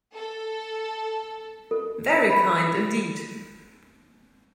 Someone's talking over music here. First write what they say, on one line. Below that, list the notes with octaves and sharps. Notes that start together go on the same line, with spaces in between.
Very kind indeed.
A4
A4
B5